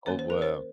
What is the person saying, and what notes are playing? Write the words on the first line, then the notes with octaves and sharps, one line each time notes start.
Oh, wow.
D#3 A#3 C#4 C#5
C5
A#4
C5